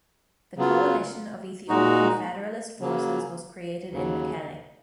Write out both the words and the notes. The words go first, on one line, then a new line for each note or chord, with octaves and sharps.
The Coalition of Ethiopian Federalist Forces was created in Mekelle.
C#3 F#3 B3 F4
A#2 G#3 D#4 F#4
C#3 F#3 A#3
D#2 C#3 F#3